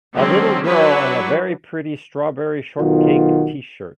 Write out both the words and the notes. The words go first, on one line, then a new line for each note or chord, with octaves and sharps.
A little girl in a very pretty strawberry shortcake tshirt.
D3 D#3 F#3 G#3 C4 C#4
F#3 D4 E4 F#4 B4 C#5
B1 D#3 F4 F#4